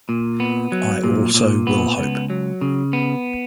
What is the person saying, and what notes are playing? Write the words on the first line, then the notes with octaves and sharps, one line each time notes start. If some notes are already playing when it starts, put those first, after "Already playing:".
I also will hope.
A#2
B3
F#3
A#2
A#2
B3
C#2
F#3
C#3
B3